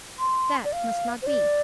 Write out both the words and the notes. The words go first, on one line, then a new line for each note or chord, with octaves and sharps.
That must not be.
C6
D5
F5
C5
D5